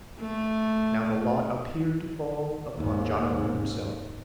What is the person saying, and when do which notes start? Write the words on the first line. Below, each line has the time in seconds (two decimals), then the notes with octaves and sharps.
Now the lot appeared to fall upon Jonathan himself.
0.20 A3
2.75 D#2 G#2